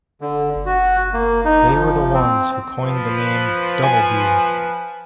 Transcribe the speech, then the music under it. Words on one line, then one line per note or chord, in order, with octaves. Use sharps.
They were the ones who coined the name 'Doubleview.
D3
F#4
A#3
D#4
F3
C4
F3 B4
G#5